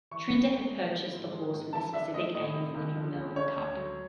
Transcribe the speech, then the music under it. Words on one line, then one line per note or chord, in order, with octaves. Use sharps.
Trinder had purchased the horse with the specific aim of winning the Melbourne Cup.
E3 C#6
B3
G#3
C3
E3
G#2
G#3
G#2
E3 A5
D4 E5
A3 D#5
A2 D#5
C3
C#2
F3
C#2
C#3 C#5
D2
F#3